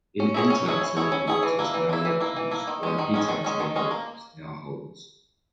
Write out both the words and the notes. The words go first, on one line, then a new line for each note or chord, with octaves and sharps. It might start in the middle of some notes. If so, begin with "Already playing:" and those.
In n-type semiconductors they are electrons, while in p-type semiconductors they are holes.
C#4
E4 G#4 C#5
C#4
E4 G#4 C#5
C#4
E4 G#4 C#5
C#4
E4 G#4 C#5
E3
A#3 E4
E3
A#3 E4
E3
A#3 E4
E3
A#3 E4
D#3
G#3 C#4
D#3
G#3 C#4
D#3
G#3 C#4
D#3
G#3 C#4
A#3